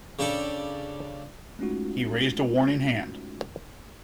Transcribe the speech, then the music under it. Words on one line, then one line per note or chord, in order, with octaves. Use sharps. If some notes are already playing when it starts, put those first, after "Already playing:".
He raised a warning hand.
C#3 D4 G4 A4
G#3 A3 C#4 D#4 F4 F#4